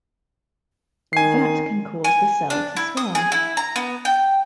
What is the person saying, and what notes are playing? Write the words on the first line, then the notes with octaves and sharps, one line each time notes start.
That can cause the cell to swell.
D#3 G#5 C7
G#5
D4
E4
D#6
G#4
E4
A#5
B3
G5